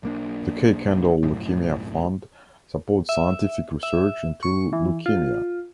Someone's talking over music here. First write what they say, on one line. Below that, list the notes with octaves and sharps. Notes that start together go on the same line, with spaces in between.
The Kay Kendall Leukaemia Fund supports scientific research into leukaemia.
B1 A#3 D4
B1 F#2 A2
E5
E5
C#6
E3
F4